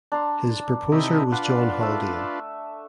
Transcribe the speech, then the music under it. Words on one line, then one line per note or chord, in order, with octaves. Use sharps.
His proposer was John Haldane.
D4 A#5 C6
C3 D#4 E4
D4 F4 B4 F#5
A3 E5